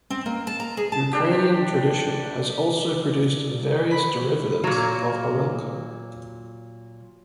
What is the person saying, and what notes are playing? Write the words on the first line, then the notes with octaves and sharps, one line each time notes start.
Ukrainian tradition has also produced various derivatives of horilka.
C4
A#3
A5
A#5
G#4
A5
D4 G4
B5
A#2 F#3